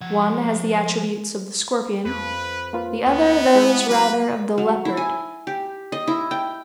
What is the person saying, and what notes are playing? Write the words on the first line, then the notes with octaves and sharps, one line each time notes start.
One has the attributes of the scorpion, the other those rather of the leopard.
F3 F#5
F2 B4
A#3 F4 B4
D2 B3
G#3 E4 G#4 F#5
F#3 F#4 B4
F#3
E4
G#5
G4
D#5
E4
G5